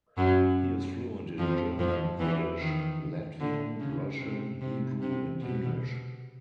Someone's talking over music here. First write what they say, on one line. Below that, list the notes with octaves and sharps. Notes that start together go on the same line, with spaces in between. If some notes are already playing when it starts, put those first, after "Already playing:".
He is fluent in German, Yiddish, Latvian, Russian, Hebrew and English.
F#2 F#3
F2 F3
F2 F3
E2 E3
D#3
D3
C#3
C3
C3
C3
B2